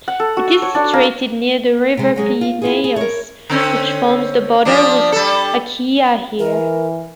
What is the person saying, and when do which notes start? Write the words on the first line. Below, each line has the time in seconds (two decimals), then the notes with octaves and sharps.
It is situated near the river Pineios, which forms the border with Achaea here.
0.08 F#5
0.20 A4
0.37 F#4
0.62 C#5
0.75 D4
0.93 A#3
1.97 C3 G#3
2.16 F#3 G#3 G#4
2.41 F4
2.62 E4 F4 G#4
2.84 G#4
2.96 A#4 C#5
3.50 D3 C4 C#4
4.65 F3 G3 D4
5.12 G3 A4
6.39 E3 A#4